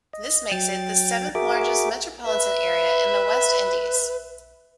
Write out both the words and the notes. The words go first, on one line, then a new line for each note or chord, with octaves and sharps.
This makes it the seventh largest metropolitan area in the West Indies.
D#5
F#3 G5 A6
F#4 G#4 A#4 E5 D6
B4 E5